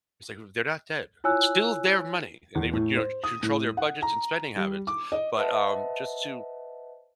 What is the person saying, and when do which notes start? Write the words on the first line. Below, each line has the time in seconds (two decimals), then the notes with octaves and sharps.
Say who? They're not dead. It's still their money, and they would, you know, control their budgets and spending habits, but, um, just to
1.24 E4 F4 C#5 G#5 E6 F#6
2.55 E2
2.73 A2
2.97 C5
3.24 D#6
3.43 A2
3.77 F#5
4.02 A#5
4.56 G3
4.87 D6
5.12 D#5
5.37 B4 C5 D#5 E5 F#5 A5